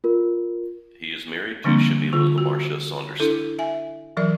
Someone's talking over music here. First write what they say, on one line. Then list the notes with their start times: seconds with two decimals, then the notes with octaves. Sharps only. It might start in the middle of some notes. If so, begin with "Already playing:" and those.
He is married to Sharmeela Lamarsha Saunderson.
0.04 F4 A#4
1.64 D3 F3 G3 A#3 C4 D4
2.13 D3 F4
2.38 F#4
3.20 D4 E4 A4
3.59 E5 G#5
4.17 E3 F#3 A#4 D5